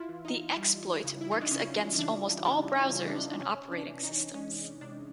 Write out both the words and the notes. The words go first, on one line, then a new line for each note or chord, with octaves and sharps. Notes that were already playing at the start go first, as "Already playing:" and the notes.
The exploit works against almost all browsers and operating systems.
Already playing: E4 F4
E3
D#4
G3
C#3
E4
D#4
D4
C#3 C#4
E3 D4
G3 D4
C#4
C#3
D4
D4
C3 C#4
D4
E3
D#4
G#3 C#4
C3 D4